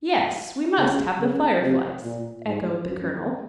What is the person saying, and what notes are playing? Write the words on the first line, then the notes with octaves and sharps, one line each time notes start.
"Yes, we must have the Fireflies," echoed the colonel.
C#3
C#3
C3
A#2
G#2
F#2